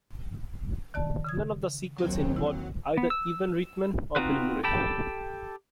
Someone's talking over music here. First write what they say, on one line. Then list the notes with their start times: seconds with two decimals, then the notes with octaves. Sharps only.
None of the sequels involved either Ivan Reitman or Bill Murray.
0.94 D#3 D5 A5
1.25 C#3 D#6 G#6
1.98 D#2 F#3 C4
2.36 E4
2.97 B3
3.10 E6
4.16 C4 D#4 F4 F#4 B4
4.64 G4 A4 G5 A5 B5